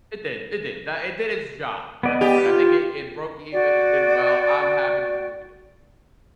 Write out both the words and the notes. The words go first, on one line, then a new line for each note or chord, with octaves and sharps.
It did it did. That it did its job at the point. I think it it broke even. It did well. I'm happy that the movie did well.
B3 D5 D#5
G4
F4
F#4 D5 G5